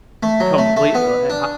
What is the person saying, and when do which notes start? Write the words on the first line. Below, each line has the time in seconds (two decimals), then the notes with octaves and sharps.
complete li l I
0.23 A3
0.40 F#3
0.58 A3
0.77 A3
0.95 B3
1.30 D4